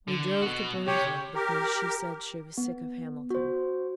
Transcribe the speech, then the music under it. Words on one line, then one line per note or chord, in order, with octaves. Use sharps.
We drove to Burnsville because she said she was sick of Hamilton.
D3
B2 F#4
C3 G4 C#5
G4 A#4
B3
F#4 C5